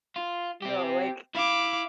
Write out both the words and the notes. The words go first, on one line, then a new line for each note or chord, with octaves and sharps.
No, like
F4
C4 G4
E4 F5 D6